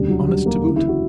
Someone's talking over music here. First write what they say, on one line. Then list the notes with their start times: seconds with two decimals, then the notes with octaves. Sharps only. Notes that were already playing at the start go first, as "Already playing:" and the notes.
Honest, to boot.
Already playing: E1 D2 C#3 G3
0.10 F#3
0.27 G3
0.46 A#3
0.64 D2 C#3 E3 E4
0.76 E4
0.88 F#4